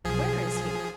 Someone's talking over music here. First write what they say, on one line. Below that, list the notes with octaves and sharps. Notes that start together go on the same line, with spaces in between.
"Where is he?"
B1 F3 F#3 G#4